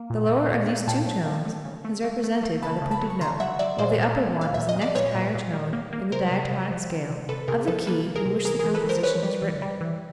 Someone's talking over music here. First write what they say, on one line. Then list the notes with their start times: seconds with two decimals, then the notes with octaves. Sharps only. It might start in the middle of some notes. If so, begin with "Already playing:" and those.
The lower of these two tones is represented by the printed note, while the upper one is the next higher tone in the diatonic scale of the key in which the composition is written.
Already playing: A#3
0.10 A#2
0.29 A#2
0.48 A#2
0.68 A#3
0.87 A#2 G5 A5
1.07 F#3
1.26 A#3
1.45 A3
1.65 C#3
1.85 A3
2.04 A3
2.24 A3
2.43 A3
2.62 C#3 A5 B5
2.82 C#3
2.91 A5 B5
3.01 F#3
3.10 C#6
3.21 C#3 A#5 C6
3.40 F#3 E5 F#5
3.59 F#3 D5 E5
3.79 A#2 C5 D5
3.98 A#2
4.18 A#3
4.37 A#2 F5
4.54 A#2 E5
4.69 D#5
4.76 A#2
4.82 D5
4.95 A#2 B4 C#5
5.15 A#2
5.35 A#2
5.53 G3
5.73 A#3
5.93 A#3
6.12 C3 A#4 C5
6.31 C3
6.51 C3
6.71 F3
6.90 C3
7.09 C3
7.29 C3 A4 B4
7.48 C3 G#4 A#4
7.68 F3 A4 B4
7.87 A#3 A4 B4
8.06 A#3
8.16 G#4 A#4
8.26 C3
8.45 E3 G#4 A#4
8.59 E3 G#4 A#4
8.75 A4 B4
8.84 E3
8.89 A#4 C5
9.03 E3 B4 C#5
9.23 G3
9.42 E3
9.62 G3
9.81 E3